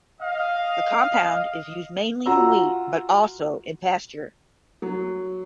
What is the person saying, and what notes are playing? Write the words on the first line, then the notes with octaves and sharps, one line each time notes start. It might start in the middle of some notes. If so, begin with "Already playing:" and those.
The compound is used mainly in wheat but also in pasture.
D#5 F5
F4 F#4 A#5 E6
F#3